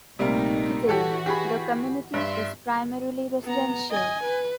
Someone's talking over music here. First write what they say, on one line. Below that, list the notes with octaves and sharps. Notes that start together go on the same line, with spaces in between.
Today, the community is primarily residential.
A#1 C3 G3 A3 A#3 D#4
E3 F#4 G4 A4 C#5
G4 G#4 B5
G2 E5 C6
B3 A#5
D#5 G#5
B4